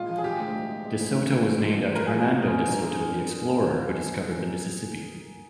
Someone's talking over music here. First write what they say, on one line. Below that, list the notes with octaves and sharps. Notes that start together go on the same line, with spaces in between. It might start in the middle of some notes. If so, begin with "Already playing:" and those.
De Soto was named after Hernando De Soto the explorer who discovered the Mississippi.
Already playing: A#1 G#3 F4
F3
G#4
G#3 G4
D2
G#3
G#3
G#3
D2
D3
D2
A#2
F3
A#2
F3 A#4
F3 G#4
A#2
A#2
A#2
G2
D3